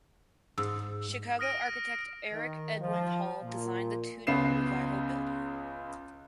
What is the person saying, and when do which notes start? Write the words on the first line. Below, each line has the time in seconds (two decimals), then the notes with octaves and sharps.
Chicago architect Eric Edwin Hall designed the Tudor Revival building.
0.58 G#2 E6
1.39 D#6 F6 A#6 D7 D#7
2.33 D#3
2.80 F3
3.43 A#2
4.27 C#2 C#3 B3 C7 E7